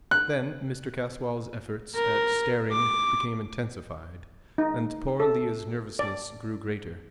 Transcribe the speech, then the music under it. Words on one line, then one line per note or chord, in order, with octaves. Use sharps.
Then Mr. Caswall's efforts at staring became intensified, and poor Lilla's nervousness grew greater.
F#6
A#4
D6
D#4
A4
D5